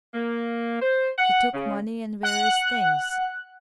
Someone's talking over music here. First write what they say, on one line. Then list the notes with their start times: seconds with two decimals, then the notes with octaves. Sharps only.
He took money and various things....
0.14 A#3
0.82 C5
1.18 F#5
1.54 C#3
2.23 F#5 F#6